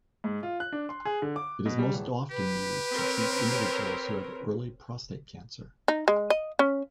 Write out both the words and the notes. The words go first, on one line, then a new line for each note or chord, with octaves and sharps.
It is most often used to treat individuals who have early prostate cancer.
G#2
F4
F#6
D4
C6
G#4
D3
D6
B2
G3
D1
G4 B4
C4 A#4 C#5
D#4
G#3
D#5
C#4